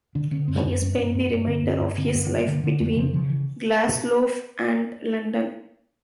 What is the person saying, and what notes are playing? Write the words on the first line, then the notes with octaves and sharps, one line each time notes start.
He spent the remainder of his life between Glaslough and London.
D3 D4
D3 C#4
F#2 C4
F#2
G2 C#4
G2 C#4
C#4
G2 C4
G2 B3
D3 C4
G2 B3
G2 C#4
D3 C4
G2 B3
G2
D3 A#3
D3
F2 A3
C#3 F3
C#3 F3
E3